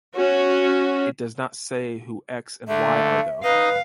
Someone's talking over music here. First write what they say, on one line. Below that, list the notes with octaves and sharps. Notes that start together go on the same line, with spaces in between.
It does not say who X and Y are though.
C#4 F#4
D3 A3 E5
D#4 B4 D#5 F5